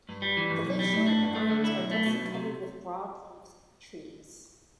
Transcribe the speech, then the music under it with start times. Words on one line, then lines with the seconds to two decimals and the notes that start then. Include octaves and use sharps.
The lakeshore and islands are densely covered with broadleaved trees.
0.09 G2
0.22 G3
0.37 E3
0.50 G2
0.65 B1
0.79 G3
0.93 A2
1.06 D4
1.21 G2
1.35 A3
1.50 D3
1.64 E4
1.78 B1
1.91 A3
2.06 B2
2.20 B1
2.34 C3